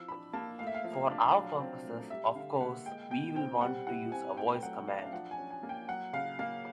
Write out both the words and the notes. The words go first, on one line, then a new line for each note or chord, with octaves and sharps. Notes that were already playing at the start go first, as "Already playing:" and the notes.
For our purposes, of course, we'll want to use a voice command.
Already playing: E3 F3 C4 E6
D4 B5
A#3 A5
A3 F5
E5
F5
F3
D4
F#3
C4
A3
G3 E5
D3 F5
A#3 F#5
G#3 G5
B2 G5
C4 G5
G3 F#5
E4 F#5
C4 G#5
A3 G5
G5
F#3 F#5
D4 F5
E5
F5
F3 F#5
G#5
C#4
G#5
A#3
G5
F#3 F#5
C#3 F5
A#3 F5